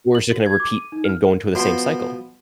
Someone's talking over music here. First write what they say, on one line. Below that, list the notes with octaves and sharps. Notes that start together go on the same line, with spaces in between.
or it's ju gonna repeat and go into the same cycle.
F#7
F#4
G#6
D6
D#7
D#4
F6
B2 F3 C6